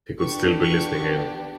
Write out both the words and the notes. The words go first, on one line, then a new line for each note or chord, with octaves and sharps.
He could still be listening in.
B3 D4 G4 C#6
C#6